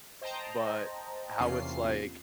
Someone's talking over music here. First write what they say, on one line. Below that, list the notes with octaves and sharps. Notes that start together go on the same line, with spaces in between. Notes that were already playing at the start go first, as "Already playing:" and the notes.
but, how it's like
C5 D#5 G5 A5 A#5
E2 C3 A#3 C#4 F4 C7